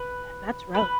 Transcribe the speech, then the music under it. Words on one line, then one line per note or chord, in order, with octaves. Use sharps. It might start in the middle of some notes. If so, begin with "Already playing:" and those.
ah, that's rough,
Already playing: B4
B4